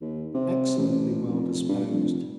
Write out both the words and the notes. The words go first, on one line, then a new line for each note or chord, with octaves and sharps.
"Excellently well disposed."
D#2
C3
A1
F1
G2
F1